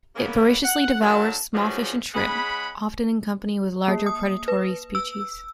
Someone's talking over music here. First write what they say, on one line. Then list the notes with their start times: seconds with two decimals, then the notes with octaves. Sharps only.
It voraciously devours small fish and shrimp, often in company with larger predatory species.
0.16 C#3 A#3 B3
0.64 F#5
1.01 A2 D3 F#3 A#3 A#4 A5
1.54 G2 F3 F#3 G#3 C#4
2.13 C#3 G#3 F#5 B5
3.88 A#3
4.06 D#6
4.48 B4
4.95 E6